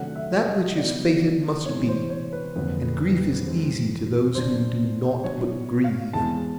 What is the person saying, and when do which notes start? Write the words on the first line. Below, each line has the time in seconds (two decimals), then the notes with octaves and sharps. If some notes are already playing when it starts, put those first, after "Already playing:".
That which is fated must be; and grief is easy to those who do nought but grieve.
Already playing: C3 D#3 F#3 A3 D4 F#5
0.16 E5
0.46 D#5
0.75 C#3 F#3 B3 D5
1.65 C3 E3 G#3 B3 D4 C#5
1.89 C5
2.10 C#5
2.33 B4
2.56 F2 D3 F#3 A#3
3.45 C3 E3 G#3 C4
4.35 A#2 F#3 B3 D4 C5
5.24 B2 F#3 B3 D4 C#5
5.84 F5
6.13 E2 B2 G#3 C4 A5